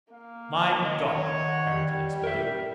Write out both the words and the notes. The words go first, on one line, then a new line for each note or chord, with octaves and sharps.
"My God!" Harrington exploded.
A#3 F5
D#3 C#5 D#5
F#5
G3
G4 A#4 E5